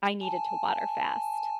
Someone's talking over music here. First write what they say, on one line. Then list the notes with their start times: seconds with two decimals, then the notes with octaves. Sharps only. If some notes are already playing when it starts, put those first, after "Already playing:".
I needed to water fast,
0.21 G#5 A5